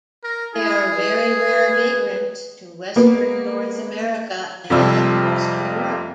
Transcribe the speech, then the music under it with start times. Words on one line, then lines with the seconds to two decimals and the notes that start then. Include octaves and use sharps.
They are very rare vagrants to western North America and western Europe.
0.24 A#4
0.55 E4 G#4
0.95 B4
2.96 A#3 B3
4.70 F2 C3 F3 G3 F4 E6